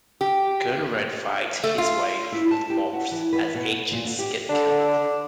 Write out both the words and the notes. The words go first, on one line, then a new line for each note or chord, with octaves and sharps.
Conrad fights his way through the Morphs as agents get killed.
G4
A3
F4
E4
A5
G4
F#4
E3
B4
B2
A#2
D3
G4
D3 D4